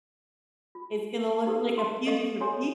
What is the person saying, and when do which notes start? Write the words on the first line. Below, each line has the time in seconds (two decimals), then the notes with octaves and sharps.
It's gonna look like a few different peop
0.75 F4
1.46 D#4 G4 A4 B4
1.78 C6
2.06 A4 D#5 F5 C#6
2.40 E4 G4 A4 C#5 G#5 C6